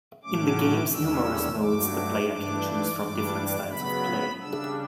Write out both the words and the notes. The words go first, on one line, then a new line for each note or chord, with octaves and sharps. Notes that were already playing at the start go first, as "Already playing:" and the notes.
In the game's numerous modes, the player can choose from different styles of play.
A2 F#3 A3 C#4 D6
E2 D3 G3 C#4 E6
G2 F#3 A3 D6
G2 E3 A3 D4 D6
D6
G2 E3 G3 D4 D6
C#3 F#3 B3 B5
C#3 G3 D4 E6